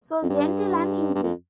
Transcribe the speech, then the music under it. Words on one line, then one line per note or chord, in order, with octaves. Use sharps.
So genteel and easy!
F2
G2
G2
F2